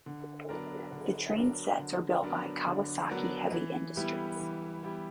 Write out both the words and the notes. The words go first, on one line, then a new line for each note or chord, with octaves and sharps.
The train sets are built by Kawasaki Heavy Industries.
D3
F#3 B3 D4 A#4
D3
F#3 B3 D4 A#4
D3
F#3 B3 D4 A#4
D3
F#3 B3 D4 A#4
E3
G3 B3 E4 G4
E3
G3 B3 E4 G4